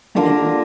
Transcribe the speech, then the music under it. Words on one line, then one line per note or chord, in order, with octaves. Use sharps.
I get that.
D3 A#3 F4 A#4